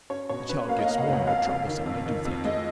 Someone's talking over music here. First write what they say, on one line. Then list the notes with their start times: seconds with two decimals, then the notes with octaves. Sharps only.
The child gets more and more troublesome, I do think.
0.10 C#4 C#5
0.29 B2 C#5
0.49 C#4 B4
0.68 A#3 F5
0.79 D#5
0.84 F5
0.89 A#3
0.98 F#5
1.08 C#2
1.13 F#5
1.27 F2 F5
1.46 F2
1.67 D#3
1.86 F2
2.06 D#3
2.25 F2
2.45 G#3 D#5